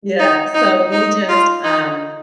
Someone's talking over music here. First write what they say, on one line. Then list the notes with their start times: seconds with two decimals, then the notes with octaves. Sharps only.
yeah, so we just, um
0.19 D#4
0.55 D#4
0.92 D#4
1.29 F4
1.64 D#4